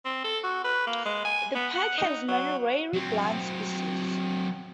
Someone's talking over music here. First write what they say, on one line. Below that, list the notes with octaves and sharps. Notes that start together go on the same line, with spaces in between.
The park has many rare plant species.
C4
A4
F#4
B4
A#3
G#3
G#5
B3
F#5
D#4
F#3
F#3 C4